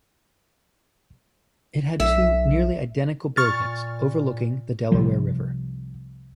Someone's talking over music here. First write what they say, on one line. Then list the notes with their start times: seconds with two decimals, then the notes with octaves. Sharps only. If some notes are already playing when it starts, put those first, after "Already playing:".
It had two nearly identical buildings overlooking the Delaware River.
2.00 B1 E5
3.37 A#2 C#6 F6 A6
4.91 C2 C3 F3 G3